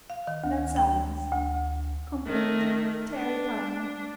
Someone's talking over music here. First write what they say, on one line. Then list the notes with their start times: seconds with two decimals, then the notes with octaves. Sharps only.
And then silence,--complete, terrifying.
0.10 F5
0.27 D#3
0.44 D2
0.76 G5
1.32 D2
2.26 D#3 A3
3.12 D4